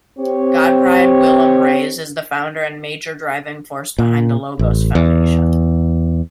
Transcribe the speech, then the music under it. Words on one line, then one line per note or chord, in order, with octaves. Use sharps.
Godfried-Willem Raes is the founder and major driving force behind the Logos Foundation.
C4 G4 C#5
A#2
A1
E2